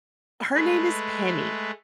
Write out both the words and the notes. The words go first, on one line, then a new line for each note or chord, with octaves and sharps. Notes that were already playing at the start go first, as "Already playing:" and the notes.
Her name is Penny.
G#3 A3 B4